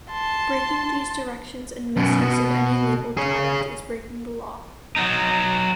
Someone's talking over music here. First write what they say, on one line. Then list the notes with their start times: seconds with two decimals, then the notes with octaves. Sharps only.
Breaking these directions and misuse of any labeled product is breaking the law.
0.11 A5 C6
1.97 F#2 B2
2.21 B2
3.17 G#4 C#5
4.96 F#3 D#4